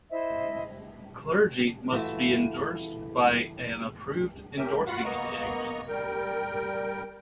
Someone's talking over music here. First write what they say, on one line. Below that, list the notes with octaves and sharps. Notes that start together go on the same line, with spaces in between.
Clergy must be endorsed by an approved endorsing agency.
E4 C5 D#5 E5
E3 A3 F4 F#4 E5
C#4 G4 A#4 E5
F4 F#4 F5 F#5 B5
A#3 B3 D#5 A#5 C#6
G3 A#4 G5